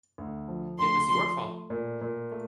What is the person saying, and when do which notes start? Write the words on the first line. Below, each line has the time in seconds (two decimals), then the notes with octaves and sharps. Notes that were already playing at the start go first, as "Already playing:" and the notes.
It was your fault.
0.18 D2
0.48 F3
0.79 D2 C6
1.09 F3 C6
1.40 A3
1.70 A#2
2.01 A#2
2.32 A3